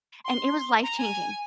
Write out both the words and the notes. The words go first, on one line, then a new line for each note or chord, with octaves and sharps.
and it was life-changing.
C6
A#5
G#5